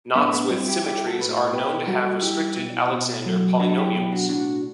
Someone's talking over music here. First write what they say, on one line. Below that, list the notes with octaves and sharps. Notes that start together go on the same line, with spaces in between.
Knots with symmetries are known to have restricted Alexander polynomials.
A2 B3 D4
B3 D4
G3 C4 E4
E4 G4
G3 E4 G4
F#4 A4
A2 B4
A4 C5
B2 G4 B4
G3 F#4 A4
G3 E4 G4
B2
B2
F#3
F#3 D4 F#4
A4
E4 G4
B2 E4 G4
D4 F#4
A2 D4 F#4